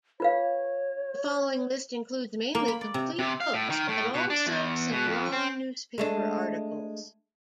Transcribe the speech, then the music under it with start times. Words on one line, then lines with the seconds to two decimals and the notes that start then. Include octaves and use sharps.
The following list includes mainly complete books but also some long newspaper articles.
0.20 F4 B4 C#5 F5
2.55 A#3
2.68 B5
2.81 D5
2.94 C3
3.19 C3
3.40 F5
3.54 A2
3.70 D#3
3.88 A2
4.14 B2
4.30 D4
4.46 E2
4.92 B2
5.07 F2
5.33 C4
5.98 G#3 A3 D4